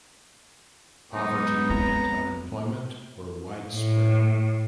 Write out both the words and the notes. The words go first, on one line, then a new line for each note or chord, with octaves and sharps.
Poverty and unemployment were widespread.
F#3 G#3 B3 D#4
C4 A#5
A2